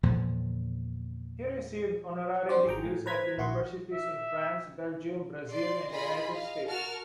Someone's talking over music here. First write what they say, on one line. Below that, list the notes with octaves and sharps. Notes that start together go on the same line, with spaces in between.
He received honorary degrees at universities in France, Belgium, Brazil and the United States.
E2 A#2 D3 F3
C4 D4 F#4 C5 D5
G#1 G#4 G5 A#5
A2
B4 C5 A#5 G#6 B6
A#1 E4 F#4 C6 C#6
E5
D5 C6
F4 G#4 D#5 B5 C6
D#5 F5
F#4 A#4 A5 F6